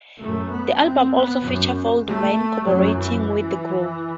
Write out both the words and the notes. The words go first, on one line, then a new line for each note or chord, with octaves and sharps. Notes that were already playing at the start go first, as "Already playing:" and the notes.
The album also featured Feldman collaborating with the group.
F#2 A3
B3
C4
B3
F#2
A3
F#2 F#3
E3